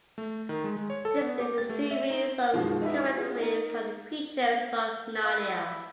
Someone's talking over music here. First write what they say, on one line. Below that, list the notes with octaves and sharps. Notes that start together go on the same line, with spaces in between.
This is a series of commentaries on the creatures of Narnia.
A3
D#3
G#3
G#3
C#5
A4
B3
G4
A6
A3
E5
D#4
F#2 B2 D#3 F3 G#3 A#3
D#4 E4 G4 B4 E5
B3 F4 G#4
D#4 A#4
E4 E5 F5